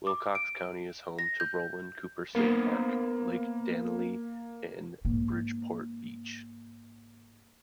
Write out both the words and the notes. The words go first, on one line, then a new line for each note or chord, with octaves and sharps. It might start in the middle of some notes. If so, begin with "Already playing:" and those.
Wilcox County is home to Roland Cooper State Park, Lake Dannelly, and Bridgeport Beach.
D6
D7
A#6
G6
A#3 B3 A#4 C5
G#2 A#3